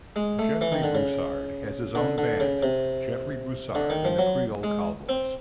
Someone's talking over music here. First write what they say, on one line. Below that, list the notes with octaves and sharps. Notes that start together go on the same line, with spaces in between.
Jeffery Broussard has his own band, Jeffery Broussard and The Creole Cowboys.
G#3
A3
E3
D#3
D3
C#3
D3
D3
C#3
C3
D3
D#3
F3
F#3
G#3
C4